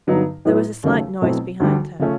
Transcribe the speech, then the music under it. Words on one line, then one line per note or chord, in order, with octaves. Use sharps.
There was a slight noise behind her.
G2 D3 F#3 B3 D#4
A2 F#3 B3 E4
D#2 C#3 F#3 A3
B2 F#3 A3 C4 E4
D2 D3 G3
C#3 F3 A3 C#4